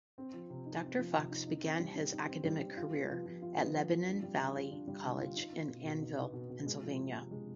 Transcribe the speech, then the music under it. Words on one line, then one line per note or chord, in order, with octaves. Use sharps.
Doctor Fox began his academic career at Lebanon Valley College in Annville, Pennsylvania.
C4
F3
C3
D#4
C4
F3
C3
D#4
D#4
C4
G3
G3
D#4
C4
G3
G3
F4
B3
F3
F3
F4
B3
F3
F3
D4
G3
D3
F4
D4
G3
D3
F4
D#4
B3
B2
B2
D#4
B3
B2
B2
G#3
F3
C3
C3
G#3